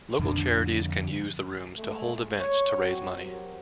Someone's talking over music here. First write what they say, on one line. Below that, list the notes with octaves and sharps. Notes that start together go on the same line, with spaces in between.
Local charities can use the rooms to hold events to raise money.
F2 D3 D4
G#3 A3
C#5
F#3 C4 F#4
F#3 C4 G4 A#4 C5